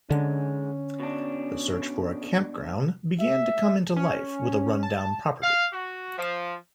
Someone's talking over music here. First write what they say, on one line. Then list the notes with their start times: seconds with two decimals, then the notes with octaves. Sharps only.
The search for a campground began to come into life with a run-down property.
0.10 G#2 D3 G#3 C#4
1.00 B2 D4
3.20 E5
3.96 C#4
4.83 A5
5.42 F5
5.73 F#4
6.18 F3